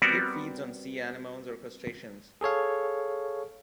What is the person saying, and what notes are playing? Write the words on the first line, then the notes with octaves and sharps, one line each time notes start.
It feeds on sea anemones or crustaceans.
G3 B3 C4 F#4 A#4 D5
G#4 A4 C#5 F5